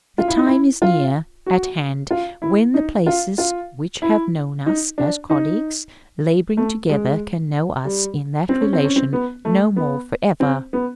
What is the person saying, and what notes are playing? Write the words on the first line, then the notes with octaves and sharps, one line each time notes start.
The time is near at hand when the places which have known us as colleagues laboring together can know us in that relation no more for ever.
F4
E4
D#4
E4
F4
F#4
F4
E4
D#4
F4
F4
E4
D#4
D4
D#4
A3
G#3
G3
C4
C#4
C4
C#4
C4
B3
A3
B3
C4
B3